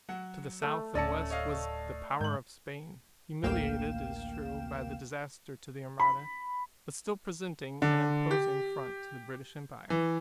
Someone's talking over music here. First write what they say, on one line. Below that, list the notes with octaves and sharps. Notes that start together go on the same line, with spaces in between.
To the south and west was the power of Spain, humiliated, it is true, by the disaster to the Armada, but still presenting an imposing front to the British empire.
F#3 F#5
A3
D1 C#4 D5 E5 A5 A#6 C#7
C#5 D#5 F5
G#2 G6 F#7
A1 D2 A#3 F5 G5 E7
B5
D3
G4
E3